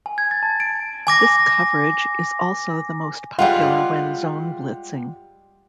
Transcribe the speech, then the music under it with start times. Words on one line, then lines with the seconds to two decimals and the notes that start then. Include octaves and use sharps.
This coverage is also the most popular when zone blitzing.
0.06 G#5
0.18 G#6
0.31 A6
0.43 A5
0.60 D7
1.07 G#5 D6 A#6
3.39 G3 G#3 F4 F#5 G5